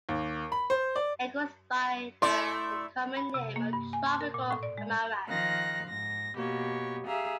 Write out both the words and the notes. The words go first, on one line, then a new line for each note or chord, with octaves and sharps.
It goes by the common name of tropical amaranth.
D#2
B5
C5
D5
A3 E4 D5 C6
B5
C3
A#3
G2
G#5
C6
A#4
A#2
A2
D5
G#3
D#3 F3 F5 F#6 A#6
G#2 A#6
B2 A#3 G4 C#5
G4 G#4 E5 F5 A#5